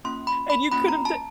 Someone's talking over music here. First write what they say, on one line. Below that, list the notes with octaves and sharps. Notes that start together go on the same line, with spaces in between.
And you could have d
A#3 C#4 F4 C6
B5
B5
A#3 C#4 F4 B5
A#5
A5